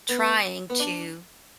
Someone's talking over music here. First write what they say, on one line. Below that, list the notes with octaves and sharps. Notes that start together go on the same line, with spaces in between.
trying to
B3
B3
D4